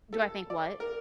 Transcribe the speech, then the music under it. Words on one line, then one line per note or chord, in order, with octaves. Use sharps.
Do I think what?
A4
D5
A#4